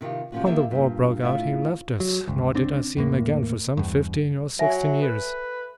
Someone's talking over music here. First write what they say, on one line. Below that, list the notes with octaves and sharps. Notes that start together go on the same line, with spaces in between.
When the war broke out he left us, nor did I see him again for some fifteen or sixteen years.
C3 D#3 F4 G4
C3 F3 G#3 C#4 F4 F#4
F2 D#3 A#3 F4 G4 E5
G2 A#2
A2 F4 E5
F#3
G1 C#2
C#2 C4 D4
E2 A2 A#3
E2 G2
F#3 E5 G#5
A4 B4